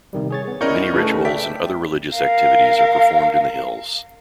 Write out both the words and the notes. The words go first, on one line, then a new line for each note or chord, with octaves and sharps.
Many rituals and other religious activities are performed in the hills.
C3 D#3 G3
G#4 C#5 A6
B3
C#4 E4 A#4 D5 D#5 F#5 C#6 G6
C#3 A3 B4
D5 E5 G5 B6
A#4 F5